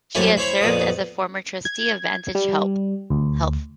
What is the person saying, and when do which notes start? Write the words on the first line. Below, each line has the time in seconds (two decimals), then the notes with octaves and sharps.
She has served as a former Trustee of Vantage Health.
0.15 F#2 C3 A3 A#3 C#4 E4
0.37 E4 C5 C#5 B5
0.61 F2 A#2 B3 D#6
1.65 G#6
2.35 G3
3.10 D2